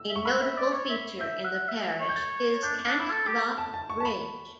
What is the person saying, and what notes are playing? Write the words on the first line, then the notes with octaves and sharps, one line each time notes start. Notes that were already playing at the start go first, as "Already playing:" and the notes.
A notable feature in the parish is Cantlop Bridge.
Already playing: E6
E5
C#6
F#5 B5
E5
D5
C#5
E5
E5 G6
F#5
E5
C#5
G6
A6
D4 G6
D4
E4
A4
G4
A5
A5
C#6
A5
B5